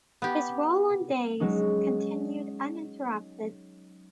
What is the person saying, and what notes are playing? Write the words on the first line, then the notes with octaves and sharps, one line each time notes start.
His role on "Days" continued uninterrupted.
B3 G4
F#3 G#3 C#4 D#4